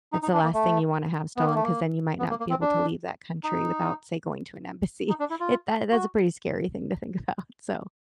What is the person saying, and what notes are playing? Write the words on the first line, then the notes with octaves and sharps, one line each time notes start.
it's the last thing you wanna have stolen, 'cause then you might not be able to leave that country without, say, going to an embassy, it that that's a pretty scary thing to think about, so,
D#4
D#4
D4
A#3
A3
B3
A#3
A3
A#3
B3
A#3
A#3
C4
D4
D#4
D#4
D4
E4
F4
F#4